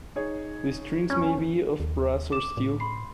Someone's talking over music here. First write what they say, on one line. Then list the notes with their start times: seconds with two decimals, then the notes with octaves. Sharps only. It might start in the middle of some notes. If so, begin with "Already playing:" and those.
The strings may be of brass or steel.
0.16 D#4 G#4 C#5
1.10 F2 C#4
1.80 D#2
2.32 D6 E7
2.57 A2
2.80 B5 C6 C7